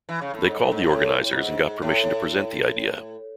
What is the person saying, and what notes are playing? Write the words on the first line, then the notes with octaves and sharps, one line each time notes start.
They called the organizers and got permission to present the idea.
E3
C#3
A2
G#2
A2
G#2
A2
G#2
A2